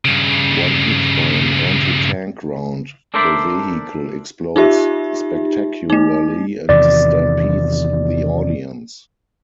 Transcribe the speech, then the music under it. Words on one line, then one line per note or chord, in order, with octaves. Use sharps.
When hit by an anti-tank round, the vehicle explodes spectacularly and stampedes the audience.
G2 C#3
D4 A4 A#4 C5 D5 E5
D#4 F4 G4 E5
A3 D#4
E2 C3 D#3 D5